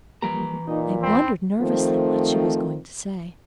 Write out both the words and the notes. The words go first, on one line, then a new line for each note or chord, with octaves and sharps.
They wondered nervously what she was going to say.
E3 F3 G3 A#3 B4 A#5
A#2 D#4 D#5
E2 C4 B5
D#3 F3 A3 C4